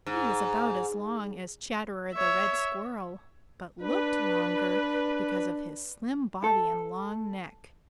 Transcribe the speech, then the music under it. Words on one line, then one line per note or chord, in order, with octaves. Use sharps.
He was about as long as Chatterer the Red Squirrel but looked longer because of his slim body and long neck.
G#2
C#5 E5
D4 B4
A4